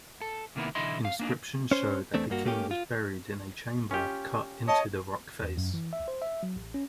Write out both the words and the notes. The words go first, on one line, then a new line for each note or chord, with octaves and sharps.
Inscriptions show that the king was buried in a chamber cut into the rock-face.
A4
C3 D#3 A#3 B3 E4
B1 D3 E3 E4 D#5 C6
F5
A#3 D4 D#4
C#4 C5
E2 A3 C4 D4
G2 A#3 F#4
A3 A#3 C#4 G4
F4
C#4 F4 G4
C#5 D#5 A5
E2
F#2
E3
E5
C5
E5
F#3
A1
C#4